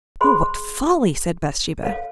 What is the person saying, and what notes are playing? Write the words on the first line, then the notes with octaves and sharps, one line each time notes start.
"Oh, what folly!" said Bathsheba.
G#4 C5 B5 C6
A4 C#5 F5